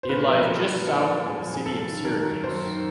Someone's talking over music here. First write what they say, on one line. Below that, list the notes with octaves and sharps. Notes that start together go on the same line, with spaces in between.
It lies just south of the city of Syracuse.
C5
A#2 B4
F3 A#4
F3 A4
A#2
A#2 A4
F3
F3 G#4
A#2
G#4
F#2 A4
D#3
D#3 A#4
F#2
F#2 C5
D#3